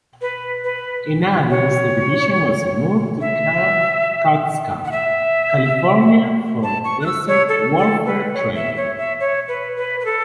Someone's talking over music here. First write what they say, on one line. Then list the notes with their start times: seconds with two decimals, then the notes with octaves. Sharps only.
In August, the division was moved to Camp Coxcomb, California for desert warfare training.
0.21 B4
0.64 B4
1.50 C#5
3.21 E5
4.85 F#5
4.92 E5
6.63 A5
6.84 C#6
7.01 F#6
7.06 E6
7.28 C#5
7.49 A4
7.77 A4
8.06 B4
8.34 C#5
8.55 E5
8.77 C#5
8.98 E5
9.20 C#5
9.48 B4
9.77 B4
10.00 B4
10.05 A4